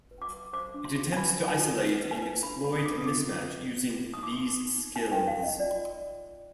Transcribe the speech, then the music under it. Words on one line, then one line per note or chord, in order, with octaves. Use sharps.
It attempts to isolate and exploit a mismatch using these skills.
B4
D6
B4
C5 D6
D4
C6
G#4
G#5
B4 B5
B4
G#5
F4
B4
B4
G#5
B4
D4 B5
D4 B5
D#6
D4 D6
D#6
F4 D6
F4
B4
G#4
G#4
D#4 D#6
D6
D#4 C6
D#4
D#4
D#4 G#5
G5
D#4
F5
D#4
D#5
F4 D5